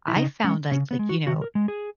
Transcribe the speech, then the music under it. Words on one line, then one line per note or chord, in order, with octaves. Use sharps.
I found, like like, you know,
E4
C#3 D#4
G#3 C#4
C#3 C#4
B3
G#3
F#4
D#3 F#4
A#4
G#3
G#4